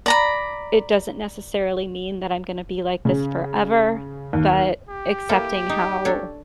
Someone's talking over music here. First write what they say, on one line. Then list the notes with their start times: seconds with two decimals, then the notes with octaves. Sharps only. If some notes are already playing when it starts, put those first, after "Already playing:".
it doesn't necessarily mean that I'm gonna be like this forever, but accepting how
0.06 D5 A#5 B5
3.05 C#3
4.33 D#2
4.89 G4
5.29 A#3 E4 A4
5.69 D#4
6.05 D4 A4 C#5